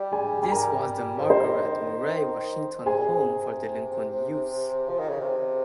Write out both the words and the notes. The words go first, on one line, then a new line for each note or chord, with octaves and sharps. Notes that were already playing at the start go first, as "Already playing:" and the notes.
This was the Margaret Murray Washington Home for Delinquent Youths.
Already playing: G3
G#4 G#5
G#5
A#4 A#5
F3
D#3 C5 C6
C3 G#4 G#5
A#2
C3
F3
D#3
C#3
C3